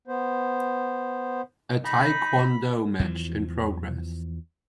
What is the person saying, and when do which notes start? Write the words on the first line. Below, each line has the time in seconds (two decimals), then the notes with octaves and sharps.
A Tae Kwon Do match in progress.
0.08 B3 C5
1.85 D#4 B5
2.99 E2 E3 F3